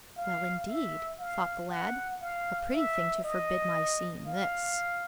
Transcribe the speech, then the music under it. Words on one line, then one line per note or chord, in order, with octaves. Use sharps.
Well, indeed! thought the lad; a pretty thing to forbid my seeing this.
F5
E5
F5
F#5
F5
E5
D#5
F5